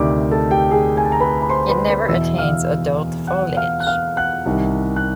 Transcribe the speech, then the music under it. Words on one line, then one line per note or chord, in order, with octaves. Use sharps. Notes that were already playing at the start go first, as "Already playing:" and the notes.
It never attains adult foliage.
Already playing: D2 C3 D#3 D5 D6
A4 A5
G4 G5
G#4 G#5
G#5
A5
A#5
B4 B5
B5
C5 C6
B4 B5
B4 B5
E2 B2 E5 E6
F5 F6
F#5 F#6
F5 F6
F#6
F5 F6
F#5 F#6
C2 C3 D#3
F#6